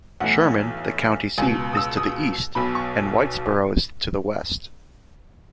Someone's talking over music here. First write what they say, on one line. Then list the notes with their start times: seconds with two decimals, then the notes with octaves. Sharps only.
Sherman, the county seat, is to the east, and Whitesboro is to the west.
0.20 B1 A2 E3 F#5
1.38 C#2 G#5
1.41 B2
1.73 D#6
1.77 E6
1.97 D#6
2.55 B1 B2 B5
2.75 C#6